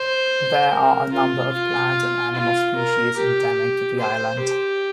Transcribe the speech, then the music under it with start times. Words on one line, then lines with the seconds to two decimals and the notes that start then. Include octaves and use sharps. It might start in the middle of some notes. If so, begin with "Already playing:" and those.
There are a number of plant and animal species endemic to the island.
Already playing: C5
0.71 A#4
1.12 F4
1.53 F4
2.35 F4
2.76 A#4
3.17 G4
3.99 C5
4.40 G4